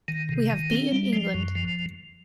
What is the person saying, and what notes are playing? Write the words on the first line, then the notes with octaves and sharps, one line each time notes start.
We have beaten England!
D#3
C3
D#3
C4
G3
F3
F#2
F3